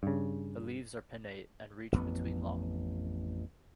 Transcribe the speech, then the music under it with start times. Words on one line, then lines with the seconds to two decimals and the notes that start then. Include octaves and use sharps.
The leaves are pinnate, and reach between long.
0.03 G2 C#3
1.92 A1 F2 B3